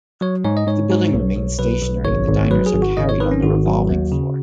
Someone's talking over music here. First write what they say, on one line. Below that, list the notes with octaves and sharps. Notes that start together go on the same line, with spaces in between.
The building remains stationary and the diners are carried on the revolving floor.
F#3 C#5
G#2 C#5
D#5
G#2 C#5
G#2
B1
B1
B1 B4
B1
G#1 C#5
G#1
F#3 B4
G#4
G#1
F#4
G#1 D#5
C#5
D#3 B4
C#4
G#1 F#4
F#3
D#2
C#3